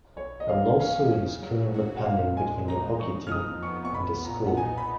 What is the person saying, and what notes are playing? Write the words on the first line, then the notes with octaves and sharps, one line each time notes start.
A lawsuit is currently pending between the hockey team and the school.
B1 C#5
D#5
B2 F5
C#4 F5
C#3
F#3
F#4
F#5
A#2 F5
G#3 G#5
D#4 A#5
F2 C#6
F6
F3 D#6
B3 C#6
C#6
B1 B5
A#2 A#5
F#5
D#4 G#5
B5